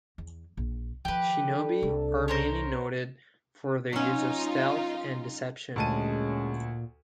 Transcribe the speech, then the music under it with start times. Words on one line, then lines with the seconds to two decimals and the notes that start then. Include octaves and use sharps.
"Shinobi" are mainly noted for their use of stealth and deception.
0.18 E2
0.57 A#1
1.05 D#3 F3 G4 B4
1.48 D4 A4
1.83 C2
2.28 A#4 C5 C#5
3.93 F#3 C#4 D#4 F4
5.76 D2 A#2 G#3 C#4 A5 D#7